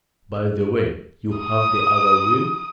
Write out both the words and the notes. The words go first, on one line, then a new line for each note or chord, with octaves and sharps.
"By the way, you have the other will?"
D#6